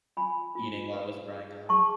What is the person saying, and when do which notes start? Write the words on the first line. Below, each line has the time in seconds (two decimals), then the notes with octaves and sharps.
eating while I was growing up."
0.17 F4 G#5 B5
0.55 F4
0.93 B4
1.31 G#4
1.69 G#4 A5 C#6